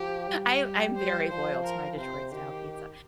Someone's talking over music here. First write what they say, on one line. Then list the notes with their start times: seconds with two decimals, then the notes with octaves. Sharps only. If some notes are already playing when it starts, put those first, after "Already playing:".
I'm I'm very loyal to my Detroit-style pizza,
Already playing: F3 G4
0.28 G3
0.62 G4
0.96 C5
1.30 F3 C5
1.64 A#4
1.98 C3 C5
2.31 D#3 G4